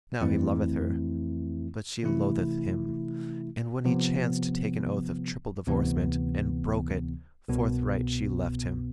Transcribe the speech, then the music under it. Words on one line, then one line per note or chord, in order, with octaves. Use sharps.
Now he loveth her, but she loatheth him; and when he chanced to take an oath of triple divorcement and broke it, forthright she left him.
F2 E3 A3 C4 E4
C3 E3 A3 E4
C3 F3 B3
D2 C3 E3 B3
C2 B2 B3